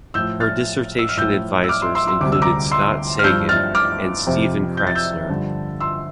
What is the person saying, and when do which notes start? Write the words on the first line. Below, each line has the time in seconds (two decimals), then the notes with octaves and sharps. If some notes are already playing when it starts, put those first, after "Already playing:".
Her dissertation advisors included Scott Sagan and Stephen Krasner.
0.14 A2 F3 E6 G6
0.40 F6 A6
0.99 E6
1.09 F6
1.17 A2 F3 E6 G6
1.64 E6
1.69 D6 F6
1.82 C6 E6
1.95 C6 E6
2.07 C6 E6
2.21 D2 C3 G3 D6
2.32 E6
2.42 A#5 D6
2.71 C6 E6
3.19 F6
3.24 G2 F3 E6 G6
3.49 F6 A6
3.75 D6 F6
4.27 F2 C3 F3
4.77 G6
4.87 A6
4.95 E6 G6
5.29 G2 D3 F3
5.80 C6 E6